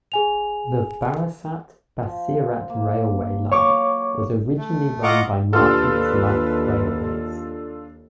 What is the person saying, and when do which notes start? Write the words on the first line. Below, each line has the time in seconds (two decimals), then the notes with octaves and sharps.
The Barasat - Basirhat Railway line was originally run by Martin's Light Railways.
0.12 G#4 G#5 F7
2.03 F3
2.70 A#3
3.52 F#3 C#5 F5 C#6 D6
4.58 A3
5.03 F4 D#5 F#5 A#5 C#6 D6
5.53 D#2 D4 F4 G4 A4 B4 C6 F6